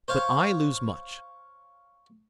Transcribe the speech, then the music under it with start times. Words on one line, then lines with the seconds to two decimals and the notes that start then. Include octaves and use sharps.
But I lose much.
0.08 C5 C#5 F5